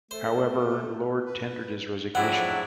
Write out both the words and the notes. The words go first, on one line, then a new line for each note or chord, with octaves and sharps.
However, Lord tendered his resignation.
A3 C5
B4
G#2 F3 F#3 C4 D4 E4 F#5